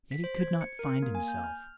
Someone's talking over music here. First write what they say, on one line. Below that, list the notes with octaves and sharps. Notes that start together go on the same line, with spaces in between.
Yet he could not find himself.
B6
C5
G#6
C#7
A#4
A#3
G#5
G6
F6